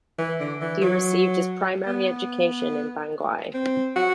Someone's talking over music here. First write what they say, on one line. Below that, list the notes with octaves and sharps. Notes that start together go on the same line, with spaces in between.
He received his primary education in Bangui.
E3
D3
E3
F#3
B3
C4
F#4